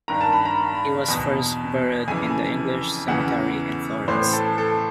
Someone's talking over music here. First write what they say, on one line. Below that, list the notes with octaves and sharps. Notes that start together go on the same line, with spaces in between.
He was first buried in the English Cemetery in Florence.
G2 D#3 A#5
A5
B5
A#5
E2 B2
F2 C#3 E3 G#5
E2 C#3 E3 F#5
A2 E3 C5
A4
A4